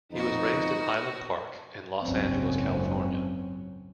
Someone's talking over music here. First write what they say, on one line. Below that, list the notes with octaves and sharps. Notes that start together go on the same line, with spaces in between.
He was raised in Highland Park, in Los Angeles, California.
F2 B3 D#4 F#4
F#1 C#2 G#2 F#3 C4 C#4